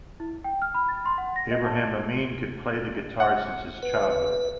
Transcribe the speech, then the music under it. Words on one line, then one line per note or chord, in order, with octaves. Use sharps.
Ibrahim Emin could play the guitar since his childhood.
E4
G5
F6
B5
A6
C6
F#5
A#6
D#5
A5
F#5
B4